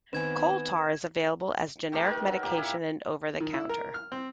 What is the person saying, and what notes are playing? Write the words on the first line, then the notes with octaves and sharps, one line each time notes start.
Coal tar is available as a generic medication and over the counter.
D#3 B3 C4 B4 G#5 G#6 E7
D#3 A3 G4 A#4
A#4 B4
F#3
A#2 A#3 G4
E4 A#4
D#3
E4
A#4
F6
C4